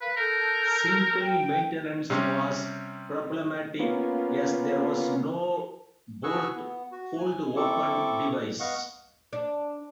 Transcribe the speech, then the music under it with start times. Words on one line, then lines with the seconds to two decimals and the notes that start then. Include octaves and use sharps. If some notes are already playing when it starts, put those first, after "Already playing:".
Simple maintenance was problematic as there was no bolt hold-open device.
0.01 A#4 B4 F5
0.17 A4 A#4 G6
1.20 G5
2.10 C3 G3 C#4
3.79 A#3 B3 C#4 F4
6.23 F#4 G#4 B4 G#5 C#6 E6
6.55 B3
6.92 F#4
7.18 G#5
7.56 C4 E4 A4 C#6 D6
8.60 B3 D#5 F5 F#5 C#6
9.33 D4